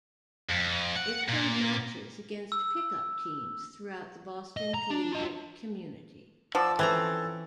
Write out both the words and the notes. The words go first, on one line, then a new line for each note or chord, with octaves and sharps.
It played matches against pickup teams throughout the Boston collegiate community.
F2
F#5
A#2
E6
D#5
A#5
D4
F4 D#5
F3 D5 F#5 A5 D6 E6
E3 C4 C#4 A4 G5 A#5 G#6